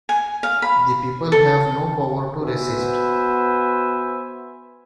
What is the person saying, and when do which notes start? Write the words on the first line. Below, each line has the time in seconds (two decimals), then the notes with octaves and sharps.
The people have no power to resist.
0.09 G#5
0.43 F5
0.62 B5
1.32 A4
2.38 B3 F#4 B4 C5 E5 G#5